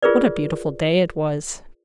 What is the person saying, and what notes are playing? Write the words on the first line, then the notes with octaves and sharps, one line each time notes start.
What a beautiful day it was!
F4 G#4 A#4 B4 D5